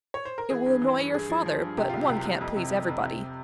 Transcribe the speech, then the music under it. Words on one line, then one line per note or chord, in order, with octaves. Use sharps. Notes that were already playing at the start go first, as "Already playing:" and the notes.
It will annoy your father, but one can't please everybody.
C#5
C5
A#4
E3 G#4
G2
E3
G2
G2 G#4
F3
F3
G2
C3 G4
C2 F4
G4
C2
C2
F2
C3
F2
F2
C3